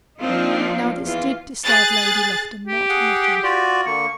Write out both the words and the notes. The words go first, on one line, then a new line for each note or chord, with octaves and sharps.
Now this did disturb Lady Lufton not a little.
F3 A#3 C4 D4 D#4 F4
E2 E3 F4
G#4 F#6 A6
G4
G#4 F#5
F4 F#4 D5
D3 A#3 C#6